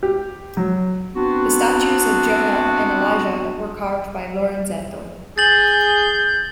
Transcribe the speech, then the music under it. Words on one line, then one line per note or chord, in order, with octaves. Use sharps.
The statues of "Jonah" and "Elijah" were carved by Lorenzetto.
G4
F#3
B3 C4 D4 F#4
G#4 G6 A6 F#7